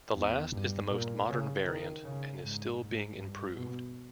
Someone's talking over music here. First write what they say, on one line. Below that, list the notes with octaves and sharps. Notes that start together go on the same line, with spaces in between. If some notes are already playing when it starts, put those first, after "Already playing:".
The last is the most modern variant and is still being improved.
E2
G2
A#2
C#3
D#3
C#3
G#2
G#2
G2
B2